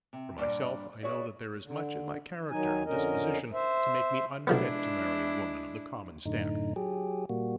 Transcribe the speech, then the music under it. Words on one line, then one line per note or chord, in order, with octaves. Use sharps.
For myself I know that there is much in my character and disposition to make me unfit to marry a woman of the common stamp.
C3
G2 A#2 D5
F#4 G#4 C#5 D5 E5
D3
D#3 F#3 D#4 G#5
F2 D3 C#4 A#4 D#5
C5 E5
B1 F3 G#3 B3 D4 E4
F#2 A2 D3 D#4
F#3 G4 G#4
A#2 G3 A#3 F#4